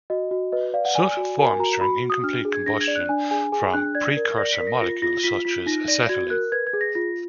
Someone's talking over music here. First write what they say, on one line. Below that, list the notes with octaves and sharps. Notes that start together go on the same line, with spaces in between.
Soot forms during incomplete combustion from precursor molecules such as acetylene.
F#4 D#5
F#4
B4 D#5
D5 F5
F#5
D5 G#5
F#4
A#4 G#5
F#4 A#5
F#4 B5
F#4
D#6
D4 F6
G#4
G#6
D4 A#6
G#6
D5
F#6
D4 G#5
G#4 G#5
G#4 G#5
D4 F#6
D5 G#6
A#4
D5 A#6
B6
A#4
A#6
F4 A#6
F4 A#6
F4 B6
F4 B6
D#4 A#6
D5 A#6
F#4 G#6
A#4 F#6
B4 G#6
G#6
G#4
A#6
F4 A#6